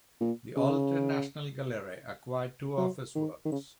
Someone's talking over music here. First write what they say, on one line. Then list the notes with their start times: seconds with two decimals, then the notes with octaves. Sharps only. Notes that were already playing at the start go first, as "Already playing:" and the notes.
The Alte Nationalgalerie acquired two of his works.
0.21 A#2
0.57 C#3
2.78 F#3
3.15 D#3
3.45 D#3
3.52 C#3